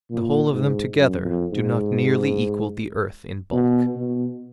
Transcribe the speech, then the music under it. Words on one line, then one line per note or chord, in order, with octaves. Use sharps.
The whole of them together do not nearly equal the earth in bulk.
A#2
G#2
F#2
F2
G#2
B2
B2